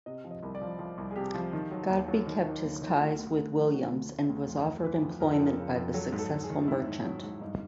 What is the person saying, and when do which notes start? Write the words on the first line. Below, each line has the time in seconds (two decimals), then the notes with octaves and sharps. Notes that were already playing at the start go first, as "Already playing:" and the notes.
Godbe kept his ties with Williams and was offered employment by the successful merchant.
0.06 C3 D#5
0.24 F3
0.31 D#5
0.43 C2
0.55 D5
0.61 F3
0.79 F3
0.98 C2
1.11 G#4
1.16 C3 G4
1.34 F3
1.53 D#3
1.71 F#3
1.90 D#2
2.08 F#3
2.26 D#3
2.45 D#3
2.63 D#2
2.81 D#3
2.90 F4
3.00 D2 F#4
3.19 D2
3.37 D2
3.55 F3
3.73 D3 F#4
3.92 D2
4.10 D2
4.29 D2
4.47 F2 F4
4.65 F2
4.84 E3 B4
5.02 F2
5.20 F2 A#4
5.33 A4
5.39 F2
5.45 A#4
5.58 C#3
5.76 F2
5.94 F#3 A4
6.12 G#2
6.19 A4
6.31 G#2
6.44 G#4
6.50 D#3
6.68 G#2 E4
6.86 G#2
7.05 F#3
7.23 G#2
7.41 G2 D#4